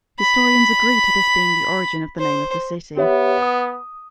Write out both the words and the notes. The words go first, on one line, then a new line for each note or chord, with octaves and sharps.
Historians agree to this being the origin of the name of the city.
B5
C5
B3 G4 C#5 E5
D#6